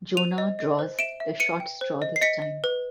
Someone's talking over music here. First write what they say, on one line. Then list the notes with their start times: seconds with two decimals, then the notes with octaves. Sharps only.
Jonah draws the short straw this time.
0.17 C5 D#7 F7
0.38 D#5
0.59 D#5
0.79 C5
0.99 E5 D7 E7
1.20 E5
1.40 B4 C#7 D#7
1.60 G5
1.81 C5
2.02 D#5
2.16 C7
2.22 D#5 B6 C#7
2.42 D#5
2.64 B4